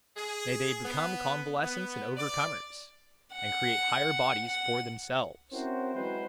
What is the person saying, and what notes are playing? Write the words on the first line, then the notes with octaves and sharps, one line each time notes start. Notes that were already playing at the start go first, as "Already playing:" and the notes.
May they become convalescents and overcomers, and create higher bodies for themselves!
G#4
B3
B3
D5
F#5
F#5
C4 C#4 E4 F#4 A#4 C5
E3 F#3 G#3 C4 B4 C5